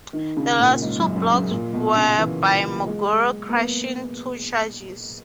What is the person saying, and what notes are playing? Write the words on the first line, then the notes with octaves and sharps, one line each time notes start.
The last two blocks were by Maguire, crushing two Chargers.
D#3
C#3
A#2
G#2
F#2
F#2
F#2
A#2
B2
C#3
E3
G#3
A#3
B3